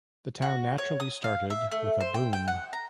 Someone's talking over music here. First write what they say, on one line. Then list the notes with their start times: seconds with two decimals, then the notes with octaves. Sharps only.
The town naturally started with a boom.
0.42 F#4
0.78 C#5
1.00 D#6
1.24 F5
1.50 E5
1.71 A3
2.00 C5
2.14 G5
2.33 G5
2.48 F#5
2.73 A#5